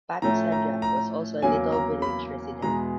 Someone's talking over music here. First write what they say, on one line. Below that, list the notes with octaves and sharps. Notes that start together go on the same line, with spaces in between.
Pat Sajak was also a Little Village resident.
A2 F3 A3 C#4 A#5
A#5
A#5
E2 C#3 F#3 A#3 C#4 G#5
A#5
B5
E2 B2 G#3 B3 A#5